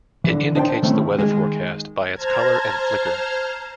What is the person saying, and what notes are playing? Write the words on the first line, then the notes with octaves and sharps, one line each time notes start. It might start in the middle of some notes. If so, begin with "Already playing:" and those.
It indicates the weather forecast by its color and flicker.
D3 E3
D4 D#4 C5 E5 G5 A5
D#3 A3 C4 C#4 E4
D#3 G#3
C5 A5 A#5 F6 G#6